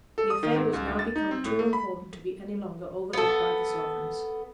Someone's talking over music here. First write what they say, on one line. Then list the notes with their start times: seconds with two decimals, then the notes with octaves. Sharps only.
The affair was now become too important to be any longer overlooked by the sovereigns.
0.18 A4
0.30 D#6
0.43 D#3
0.56 G#2
0.73 C#2
0.88 D2
0.99 A6
1.16 D#4
1.31 C4
1.45 A2
1.59 A3
1.73 B5
3.13 B3 A4